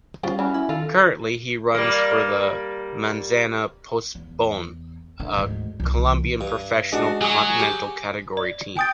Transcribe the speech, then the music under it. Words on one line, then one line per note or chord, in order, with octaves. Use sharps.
Currently, he runs for the Manzana Postobón, a Colombian Professional Continental category team.
G3 C4 C#4 F4
E3 F#3 C#4
E4
D#3 F4 A4
G3 A#3
E2
D3
D2 G#2
C2 E3
G2
G#3 D4 F#4
F#3 G#4
G4
D5
G5 G#5 D#6 A6